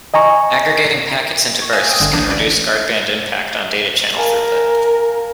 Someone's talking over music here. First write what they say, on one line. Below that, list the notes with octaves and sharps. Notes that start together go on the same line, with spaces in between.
Aggregating packets into bursts can reduce guardband impact on data channel throughput.
D#5 G#5 A#5 C#6
C#6 G#6
E5 F5 G#5 D#6 E6 F#6
G5 G#5 D#6 G6 D7
G1 D3 G#5 A#6 E7
C2 E3 A#3 D4 D#6 G6
C#4 B4 D5
A#4 F5 G#5 A5